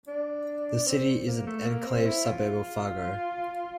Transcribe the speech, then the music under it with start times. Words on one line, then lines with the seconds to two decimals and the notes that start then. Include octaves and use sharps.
The city is an enclave suburb of Fargo.
0.08 D4
0.87 C4
1.27 A#3
1.47 A3
1.66 A#3
1.86 C4
2.06 E4
2.26 F4